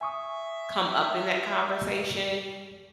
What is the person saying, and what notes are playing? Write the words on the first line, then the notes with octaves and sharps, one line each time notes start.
come up in that conversation,
E5 G#5 C#6 D#6